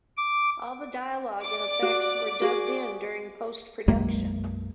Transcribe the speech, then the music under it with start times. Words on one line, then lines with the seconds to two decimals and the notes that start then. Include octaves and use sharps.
All of the dialogue and effects were dubbed in during post-production.
0.17 D6
1.42 D5 D6
1.82 F#4
2.42 F#4 G#4
3.88 B1 F#2 G#3 A#3